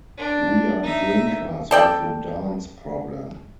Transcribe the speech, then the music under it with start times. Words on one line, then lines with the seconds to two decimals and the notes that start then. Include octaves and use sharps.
We are drinkers with a dance problem.
0.18 D4
0.83 D#4 E5
1.71 A4 D5 G5